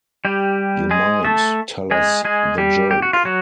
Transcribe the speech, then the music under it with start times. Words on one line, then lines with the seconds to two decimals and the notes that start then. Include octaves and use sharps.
You might tell us the joke.
0.25 G3 G4
0.91 G#3 G#4
1.25 A3 A4
1.91 G#3 G#4
2.25 G#3 G#4
2.58 G3 G4
2.91 G4
3.02 F#4
3.13 F4
3.25 F#3 F#4